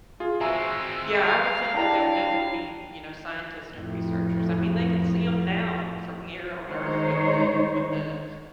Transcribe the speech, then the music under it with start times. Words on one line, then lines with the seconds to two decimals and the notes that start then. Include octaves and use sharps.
Yeah. I would say that there would definitely be, you know, scientists and researchers. I mean, they can see 'em now from here on Earth with the with the
0.20 F4 G#4
0.41 G#3 C4 F#4 C5 E5 G#5 A#5 E6
1.23 F5
1.74 D4 E4 G4 A5 A#5
3.74 F2 A2
6.67 D#3 G#3 D#4 C5 C#5